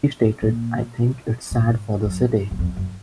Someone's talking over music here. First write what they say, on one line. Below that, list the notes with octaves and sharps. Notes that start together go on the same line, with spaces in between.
He stated; I think it's sad for the city.
A#2
G#2
F#2
F#2
F2
F#2